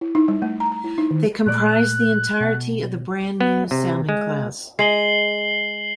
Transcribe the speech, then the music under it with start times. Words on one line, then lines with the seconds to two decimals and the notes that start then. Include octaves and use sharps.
They comprised the entirety of the brand-new "Salmon" class.
0.01 E4
0.15 D#4
0.28 G3
0.42 A3
0.60 A#5
0.72 A#5
0.84 E4
0.98 D#4
1.11 D#3
1.46 A#2 A3 D5 F#6
2.40 B2
3.41 B3
3.71 C3
4.09 G#3
4.79 G#3 C7 F#7 G7